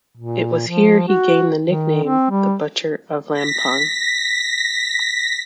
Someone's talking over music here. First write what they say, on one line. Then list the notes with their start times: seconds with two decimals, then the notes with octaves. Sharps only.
It was here he gained the nickname "The Butcher of Lampung".
0.17 A#2
0.67 F3
1.08 F#4
1.63 D#3
2.04 C4
2.30 G3
3.32 A#6 B6